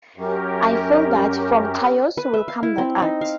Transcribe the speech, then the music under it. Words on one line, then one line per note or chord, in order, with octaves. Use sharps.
I feel that from Taos will come that art.
F#2 C#4 G4 A#4
B4
E5
F5
E4
C4
D#4
F5